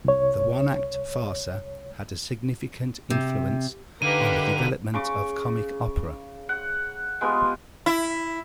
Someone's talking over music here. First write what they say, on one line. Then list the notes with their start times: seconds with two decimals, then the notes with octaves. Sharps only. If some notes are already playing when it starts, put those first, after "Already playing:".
The one-act farsa had a significant influence on the development of comic opera.
0.05 C2 C#5
3.10 C3
4.02 D3 A#3 D#4 G4 A#4 B4 D#7
4.94 C#3 C#6 D6
6.49 F#5
7.21 G#3 B3 F4 G4
7.86 E4